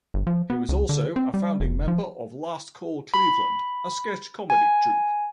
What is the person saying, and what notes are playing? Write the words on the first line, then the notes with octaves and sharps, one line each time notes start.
He was also a founding member of Last Call Cleveland, a sketch comedy troupe.
G1
F3
B3
C#2
D3
C4
G3
F1
F3
B5
G#5